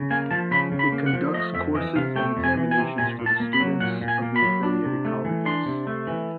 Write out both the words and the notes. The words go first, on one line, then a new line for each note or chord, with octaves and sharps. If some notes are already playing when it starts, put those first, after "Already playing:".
It conducts courses and examinations for the students of the affiliated colleges.
Already playing: C#3
A#3 G#5
F3 A5
C#3 B5
C#3
B5
A#3
F#5
F3
A3 D#5
F2 E5
E3 D#5
C3 F5
A3 G5
F2
G#5
E3
G#5
C3
A#2 G#5
A#2
A5
A#3
B5
F#3
A#2 F#5
A#2
G#5
A#3
B5
F#3
D4
C3
A3
E3
D4 C6
C3
A3
E3